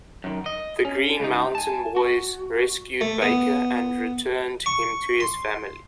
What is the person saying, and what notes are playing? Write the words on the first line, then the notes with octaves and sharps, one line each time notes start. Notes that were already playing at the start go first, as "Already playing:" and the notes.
The Green Mountain Boys rescued Baker and returned him to his family.
F#2 D#3
D#5
C#4
C#2 D#4
G#5 A5
F#4
A3
B3
C#6
C6